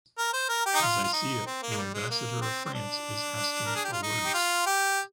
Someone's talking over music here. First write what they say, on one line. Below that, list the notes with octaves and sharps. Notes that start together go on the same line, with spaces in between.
As I see it, the ambassador of France is asking for words.
A#4
C5
A#4
G4
D#4
F4
F4
D#4
C4
A#3
G#3
G3
G#3
A#3
C4
C4
D4
A#4
G#4
G4
F4
D#4
G4
F4
G4